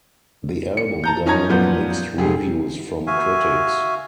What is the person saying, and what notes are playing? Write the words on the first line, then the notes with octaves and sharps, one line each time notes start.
The album garnered mixed reviews from critics.
C#7
A5 A#5 G6
F3 C#4 D#4 A5 A#5 G#6
F#2 A#2 F3 B3 G6
F1 G4 G#4
F#4 E5 F5 G#5